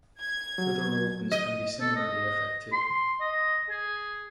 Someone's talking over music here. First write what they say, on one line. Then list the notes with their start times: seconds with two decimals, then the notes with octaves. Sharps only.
Other organs can be similarly affected.
0.20 G#6
0.58 F#3
1.32 D#5
1.81 A4
1.95 D#5
2.72 C6
3.21 D#5
3.70 G#4